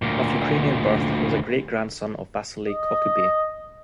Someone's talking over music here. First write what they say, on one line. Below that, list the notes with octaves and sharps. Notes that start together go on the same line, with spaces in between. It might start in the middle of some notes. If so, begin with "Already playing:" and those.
Of Ukrainian birth, he was a great-grandson of Vasily Kochubey.
D2 A#2
D#5